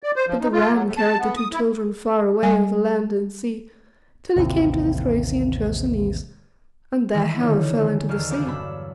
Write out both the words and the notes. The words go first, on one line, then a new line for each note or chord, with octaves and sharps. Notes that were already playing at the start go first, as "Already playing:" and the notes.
But the ram carried the two children far away over land and sea, till he came to the Thracian Chersonese, and there Helle fell into the sea.
D5
C5
F3
D#4
F4
F#3
A2
A5
B3
D#6
E4
G3 G#5
A1 D#2 C3
D#3 E3 E5 B6
D3 D#3 F#3 G3 C#4 D#4
D3 D#3 G#3
E1 D#2 D#5 F6 A6 C7
C#2 F#3 D4 C5 D6
G2 F#3 D4 B5 E6